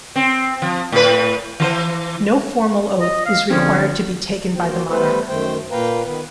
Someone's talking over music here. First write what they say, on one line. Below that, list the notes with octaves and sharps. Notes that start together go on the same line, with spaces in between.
No formal oath is required to be taken by the monarch.
C4
F3
A2 B4
E3 C5
D#5
F5
D3 F3 C4 C#4
A#3 F4 F#4 C5 G5
G3 A3 B3 A4 B4 C5
F#2 D#3 A3 C5 G5
A#2 A#3 B4 F5 G5 A#5
D#3 B3 B4